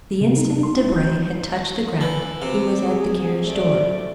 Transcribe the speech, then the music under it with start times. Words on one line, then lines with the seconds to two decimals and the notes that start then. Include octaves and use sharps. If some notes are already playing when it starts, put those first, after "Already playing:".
The instant Debray had touched the ground, he was at the carriage-door.
0.21 C3
0.36 D#4
0.50 D4
0.63 C6
0.80 E4
0.96 G6
2.01 E3
2.42 C3 F#4
2.82 G#4
3.43 A3 D5